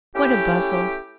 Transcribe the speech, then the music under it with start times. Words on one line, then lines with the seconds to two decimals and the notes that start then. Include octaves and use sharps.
What a bustle!
0.15 A3 C#4 E4 G4